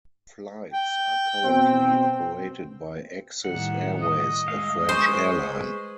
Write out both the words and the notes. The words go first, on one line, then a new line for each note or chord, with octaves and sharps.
Flights are currently operated by Axis Airways, a French airline.
G5
B2 C4
A2 D#3 G3 F#5
D#5
G#3 F5 E6
G#3 B4 C5 G#5 C#6